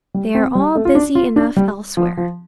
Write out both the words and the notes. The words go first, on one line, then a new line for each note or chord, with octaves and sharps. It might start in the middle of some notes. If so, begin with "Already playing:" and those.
They are all busy enough elsewhere.
G3
C4
G3
A3
F4
D4
F4
D4
G3
F3
F3